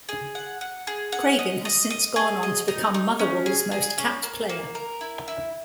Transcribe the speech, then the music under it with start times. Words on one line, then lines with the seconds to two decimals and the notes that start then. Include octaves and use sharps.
Craigan has since gone on to become Motherwell's most capped player.
0.09 G#4
0.35 F#5
0.61 F#5
0.87 G#4
1.12 F#5
1.39 D#5
1.65 D#5
1.90 D#5
2.16 G#4
2.43 D#5
2.68 D#4
2.94 D#4
3.19 C#4
3.46 G#4
3.71 G#4
3.98 C#4
4.23 A#3
4.49 A#3
4.75 A#4
5.01 E4
5.28 E4